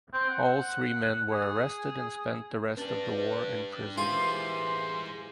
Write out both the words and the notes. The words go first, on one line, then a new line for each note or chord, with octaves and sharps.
All three men were arrested and spent the rest of the war in prison.
C4
F#5
G#4
D4 G4 B4
E3 A#3 F4 G4 G#4 C5 C6